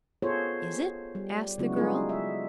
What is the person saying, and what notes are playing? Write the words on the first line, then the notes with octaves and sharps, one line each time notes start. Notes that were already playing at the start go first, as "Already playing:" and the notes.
"Is it?" asked the girl.
B3 F4 G#4 A4 C5 C#5
G3
C#3 F#3 G#3 B3 E4 F#4
G3 G#3 D#4 F4 G#4 A4
E5